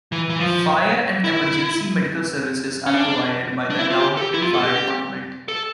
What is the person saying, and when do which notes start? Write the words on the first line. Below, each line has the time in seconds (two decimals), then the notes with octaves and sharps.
Fire and emergency medical services are provided by the Downingtown Fire Department.
0.12 E3
0.29 E3
0.40 F3
1.24 E4
2.86 C#4
2.94 D4
3.70 D4
3.79 E4
3.90 F4
4.00 G4
4.17 A4
4.21 G4
4.34 E4
4.42 F4
4.54 A4
4.63 G4
5.48 A4